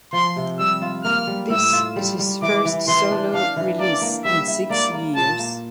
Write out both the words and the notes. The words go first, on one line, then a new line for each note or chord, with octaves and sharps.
This is his first solo release in six years.
F3 C6
C3
G3 E6
F4
A#3 F6
G3
A2 E6
F4
G3
G3
E3 D6
E3
E3 C6
D4
D4 F5
E3
A#3 D5
A#3
G3 E5
E4
A#3 D5
A#3
A#2 A5
A#3